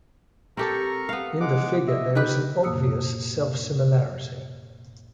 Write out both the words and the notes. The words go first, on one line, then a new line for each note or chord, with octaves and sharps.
In the figure there is an obvious self-similarity.
C4 G4 A4 A#4 A#5 C#6
B3 F5
G#3 F#5 D6
D#5 E5
D#3 G4 B4 F#6
F#2 A#2 A#3 D#6 E6